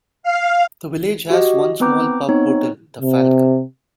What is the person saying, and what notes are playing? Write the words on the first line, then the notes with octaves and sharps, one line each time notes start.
The village has one small pub-hotel, The Falcon.
F5
F#4 G4 D#5
B3 C4 B4 A#5 D6 G6
B3 C4 D#4 C#5
C3